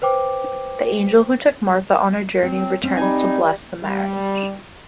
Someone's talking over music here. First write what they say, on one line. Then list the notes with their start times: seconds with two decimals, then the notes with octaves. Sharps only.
The angel who took Martha on her journey returns to bless the marriage.
0.02 B4 C5 G5 D6
2.43 F#3 C4 G5
2.83 C4 C#4
2.97 G3 D#4 G#5
3.83 G3